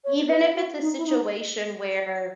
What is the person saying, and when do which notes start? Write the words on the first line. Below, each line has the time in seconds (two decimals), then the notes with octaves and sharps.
even if it's a situation where,
0.04 C#5
0.29 B4
0.55 F#4
0.81 D#4
0.98 E4
1.06 D#4